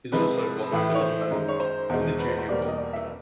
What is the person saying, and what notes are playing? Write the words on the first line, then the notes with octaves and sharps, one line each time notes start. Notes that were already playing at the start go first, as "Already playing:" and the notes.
He also won the silver medal in the junior vault event.
C3 F3 G#3 B4
A2 E3 A3
C#5
C5
F#2 D#3 G#3
C#5
C5
E2 B2 G#3
B4
C5
C5
E2 B2 G3 A#3 D5
D#5
D5
E5